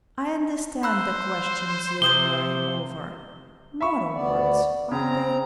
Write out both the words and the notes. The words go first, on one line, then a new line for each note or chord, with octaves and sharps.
I understand the questions you are worrying over--moral ones, aren't they?
C5 B5 E6 F#6
C3 D6 D#6 G6 G7
E5 B5 C#6
D2 B3 D5
C#3 C4 A#5